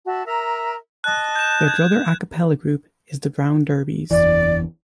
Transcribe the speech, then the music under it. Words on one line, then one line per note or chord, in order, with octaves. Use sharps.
Their brother a cappella group is The Brown Derbies.
F#4 E5 A5
A#4 E5 A#5
D#5 A5 F#6
G6 E7
G#6
F#1 E2 E3 D5